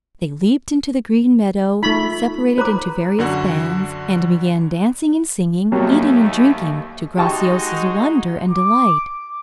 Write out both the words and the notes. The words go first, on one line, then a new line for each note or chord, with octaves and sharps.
They leaped into the green meadow, separated into various bands, and began dancing and singing, eating and drinking, to Graciosa's wonder and delight.
A3 D#4 F4 B5 C#6
B4 C5 A#5 D6
F#2 D3 F#4
D#2 F#3 G3 A3 A#3
G#3 D#4 F#4 G4 A5 C#6
D6